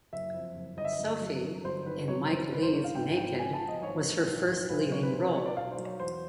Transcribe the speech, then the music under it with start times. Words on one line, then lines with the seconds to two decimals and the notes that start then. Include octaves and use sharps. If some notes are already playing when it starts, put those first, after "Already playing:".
Sophie, in Mike Leigh's "Naked", was her first leading role.
0.13 F#1 E5
0.34 F2
0.55 F#1
0.77 G1 D#5
0.85 E5
0.93 D#5
0.99 G1
1.21 F#3
1.42 F#3
1.64 G1 C5
1.86 D#3 B4
2.08 F#3 C#5
2.30 G1 C5
2.51 G#1 B4
2.62 C5
2.73 G#1 C#5
2.84 F5
2.95 G#2 G5
3.17 G#1 G5
3.38 F3 G#5
3.53 A5
3.60 F3
3.68 D#5
3.82 G#1 C#5
4.04 G#1
4.26 B1
4.48 B1
4.69 B1 B4
4.80 C5
4.91 F#3 C#5
5.03 B4
5.13 B2 C5
5.24 C5
5.35 F#3 C#5
5.46 D5
5.57 B1 F5
5.72 C5
5.78 F#3
5.86 C#5
6.00 E2 C5